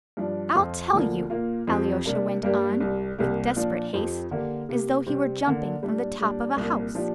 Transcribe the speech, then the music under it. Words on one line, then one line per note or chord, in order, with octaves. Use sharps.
"I'll tell you," Alyosha went on with desperate haste, as though he were jumping from the top of a house.
G2 F3 D4
F2 F3 C4 F4
D2 D3 F3 A#3
A#2 A#3 F4
F2 F3 C4 G4
C3 G3 A#3 D4
G2 G3 A#3 D4 G4
C2 C3 G3
C2 C3 A#3 G4
A#2 F3 D4 F4
F2 F3 C4 G4
D3 A#3 G4
C3 A#3 G4
C3 G3 C4
D3 A#3 D4
A#2 G3 D4
A#2 G3 D4
C2 A#2 A#3
A#2 F3 D4 G4